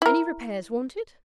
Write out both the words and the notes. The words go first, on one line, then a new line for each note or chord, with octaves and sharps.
Any repairs wanted?'
E4 A#4